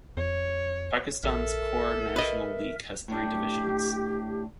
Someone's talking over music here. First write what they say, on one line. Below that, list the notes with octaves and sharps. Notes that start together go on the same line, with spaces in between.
Pakistan's core national league has three divisions.
F2 C#5
A#1 A4 A#4 E5
B4 D#5
A2 D4 G4